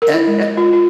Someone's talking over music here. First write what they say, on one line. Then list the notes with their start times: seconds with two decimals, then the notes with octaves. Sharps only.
A a
0.02 A#4
0.14 E4
0.27 G#3
0.41 D#5
0.57 F4
0.73 F4